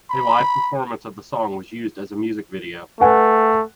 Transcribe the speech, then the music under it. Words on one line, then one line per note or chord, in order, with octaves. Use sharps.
A live performance of the song was used as a music video.
B5
A3 B4 F#5 G#5